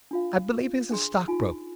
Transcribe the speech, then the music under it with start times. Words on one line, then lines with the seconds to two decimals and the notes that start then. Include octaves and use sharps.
I believe he's a stockbroker.
0.11 D4 F4 F5
0.91 D4 G#4 C6
1.28 D#4 F4 G#5